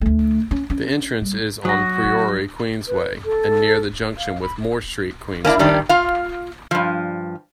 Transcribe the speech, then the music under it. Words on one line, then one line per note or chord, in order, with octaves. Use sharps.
The entrance is on Priory Queensway, and near the junction with Moor Street Queensway.
D2 A3
C#4
C#4
G3
F#3 F#4 D#6 A#6
B4
A4
F5
B5
A#3 C#4 D4 E4
D#3 G3 D4
F4 F5
G2 F3